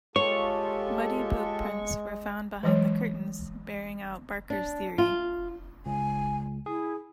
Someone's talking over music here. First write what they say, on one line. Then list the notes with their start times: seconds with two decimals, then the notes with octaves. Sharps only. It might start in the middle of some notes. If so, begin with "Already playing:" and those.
Muddy boot-prints were found behind the curtains, bearing out Barker's theory.
0.16 G#3 F4 G4 A4 C#5 C#6
2.63 E3 F#3 G#3 C#5
4.50 D4
4.98 F4
5.86 C#2 G#5
6.66 E4 G#4